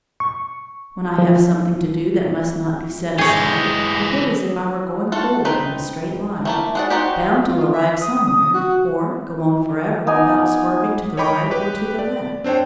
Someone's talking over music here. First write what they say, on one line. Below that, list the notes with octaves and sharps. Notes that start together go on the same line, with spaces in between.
When I have something to do that must not be set aside, I feel as if I were going forward in a straight line, bound to arrive somewhere, or go on forever without swerving to the right or to the left.
C#6
F3
E3 G#3 G4 G#4 C#5 D#5
F4 F#4 A4
C4 D#4 B4
A3 A#3 E4
G#3 F#4 D5
C4 C#4 D#4 F#4 G4
F4
E5
D#6
D#6
F#4
B3 D#4 D5 G#5
C#5 D#5 G5 B5 C#6 D6
G4 B4 G5
D5
C4 D4 C5 C#5 G5